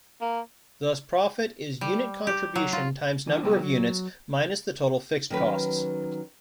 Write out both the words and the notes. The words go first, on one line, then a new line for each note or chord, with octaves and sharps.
Thus Profit is Unit Contribution times Number of Units, minus the Total Fixed Costs.
A#3
G3
G4
F#3
F4
E3 D4
C3 G3 B3 D#4 G4 A4
F#3
D#3 F#3 C#4 B4